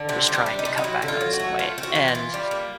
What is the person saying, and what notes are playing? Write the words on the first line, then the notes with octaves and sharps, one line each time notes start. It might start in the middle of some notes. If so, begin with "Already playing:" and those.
was trying to cut back on some weight, and,
Already playing: D3
C3 C4
G3
D4
G3
D#4
C3
D#4
F#3 E4
D3
F4
F#3
F#4
A3
A3 F4
C4
F#4
E3
F4
E3
G3
A#3